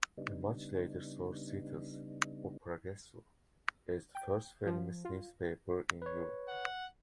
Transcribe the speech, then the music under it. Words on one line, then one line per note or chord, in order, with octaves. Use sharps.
A much later source cites "O Progresso" as the first feminist newspaper in Europe.
C#3 G3 B3 D4 D#4
G5
F3
F4
B4 C#5
F#5